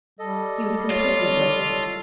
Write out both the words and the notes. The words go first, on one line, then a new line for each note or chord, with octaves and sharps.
He was completely broken.
G3 A4 D#5
F4 C#5